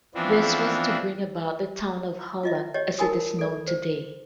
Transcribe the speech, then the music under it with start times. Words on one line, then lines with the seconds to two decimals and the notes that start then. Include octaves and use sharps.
This was to bring about the town of Holland as it is known today.
0.15 E3 F3 B3 C4 D4
2.43 F4 D#5 E5
2.74 G4 C#5 D#5
2.99 D#4 A#4 G#5 B5 D#6
3.39 A4 D5
3.68 C5